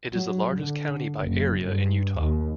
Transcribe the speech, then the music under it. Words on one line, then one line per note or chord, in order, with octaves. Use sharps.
It is the largest county by area in Utah.
F#3
D3
F#1
G2
D#2